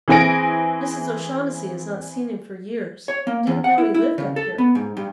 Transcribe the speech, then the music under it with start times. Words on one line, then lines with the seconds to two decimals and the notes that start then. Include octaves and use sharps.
Mrs. O'Shaughnessy has not seen him for years,--didn't know he lived up here.
0.08 E3 C4 G#4 G#5 A#6 D7
3.08 C#5
3.27 A#3
3.47 E2
3.64 F#5
3.78 E4
3.94 E4
4.18 C#3
4.36 A4
4.58 B3
4.75 G#2
4.97 G2